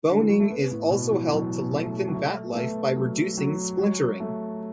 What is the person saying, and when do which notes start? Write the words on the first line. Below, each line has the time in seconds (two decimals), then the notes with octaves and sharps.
Boning is also held to lengthen bat life by reducing splintering.
0.10 D3
0.19 E3
0.29 F#3
0.40 A3
0.51 B3
0.71 A2
0.91 B2
1.12 E3
1.32 F#3
1.73 A3
2.08 F#3
2.14 A3
2.51 B3
2.55 A3
2.96 F#3
3.38 F#3
3.79 F#3
4.20 A3